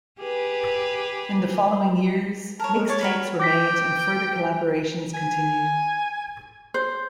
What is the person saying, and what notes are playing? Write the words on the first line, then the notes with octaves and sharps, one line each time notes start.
In the following years, mixtapes were made and further collaborations continued.
G4 G#4 B4
A#4 C#5 A5
G#3
C#5 D5 A5 C#6
F#4 A#4 B4
G5 D6 A#6 B6
G#5
C5